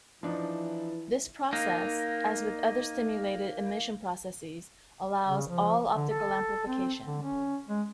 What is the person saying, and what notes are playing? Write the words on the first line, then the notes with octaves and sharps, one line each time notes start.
This process, as with other stimulated emission processes, allows all-optical amplification.
E3 F3 D4 D#4
A#3 D#4
C#3
F3
D3
A4
C4
D3
C#4
G#3